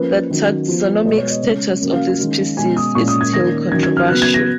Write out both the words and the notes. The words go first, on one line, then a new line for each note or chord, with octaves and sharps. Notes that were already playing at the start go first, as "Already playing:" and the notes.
The taxonomic status of this species is still controversial.
Already playing: F3 A#3 C#4 B4
D#3 F#3 C#4
F3 B3
B2 G#3 B3 D#5
C#5
D#5
C#3 G#3 C#4 C#5
C#3 F#3 A#3 C#4
F5
D#3 G#3 C#4
B2 G#3 C#4 G#5
D#6
A#2 G#3 C#4 C#6
D#6
G#6
D#3 A#3 C#4 A#6
D#3 F#3 C#4 G#6
G#6
F6
C#3 F#3 B3 F#6
G#6
A#6